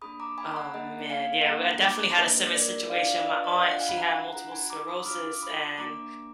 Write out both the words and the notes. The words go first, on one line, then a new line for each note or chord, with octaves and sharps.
Oh, man, yeah, well, I definitely had a similar situation, my aunt, she had multiple sclerosis and,
A#3 D4 G#4 B5 D#6
A#5 D6
G#5 B5
B5
F#5 A#5
A#3 D4 G#4 D#5 F#5
F5 G#5
A#3 D4 G#4 F#5 A#5
A#5 D6
A#3 D4 G#4 B4 D#5
A#4 D5
D4 F4 G#4 D5 F5
D5 F5
B4 D#5
D5 F5
D4 F4 G#4 D#5 F#5
F5 G#5
B5
F#5 A#5
F#5 A#5
D4 F4 G#4 F#5 A#5
G#5 B5
A#5 D6
B5 D#6
D4 F4 G#4 D6 F6
D6
B5 D#6
A#3 D4 F#4 A#5 D6